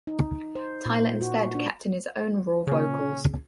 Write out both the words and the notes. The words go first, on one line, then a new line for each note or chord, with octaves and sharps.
Tyler instead kept in his own raw vocals.
D#4
C5
A#2
F#4
D4
A#2 C#3 C#4